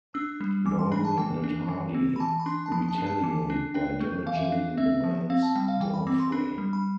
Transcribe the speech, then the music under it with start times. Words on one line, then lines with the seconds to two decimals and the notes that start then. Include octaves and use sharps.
Laurel and Hardy retaliate by damaging the man's doorframe.
0.14 D4 E6
0.41 G3
0.66 E3 D6
0.79 C6
0.92 D4 B5
1.05 A5
1.18 E3 G5
1.44 D4
1.68 E3
1.94 C4
2.16 B5
2.20 E3 A5
2.40 B5
2.46 D4 C6
2.66 A5
2.72 F3 B5
2.89 A5
2.98 D4
3.07 A5
3.23 E3
3.50 D4
3.74 D4 G5
4.00 A3
4.26 E3 F5
4.36 E5
4.45 F5
4.52 D4
4.77 C4 E5
5.04 F3
5.30 C4 F5
5.42 A5
5.55 G3 G5
5.68 F5
5.81 E3 G5
5.94 B5
6.07 C4 D6
6.20 C6
6.32 D4 B5
6.58 G3
6.73 B5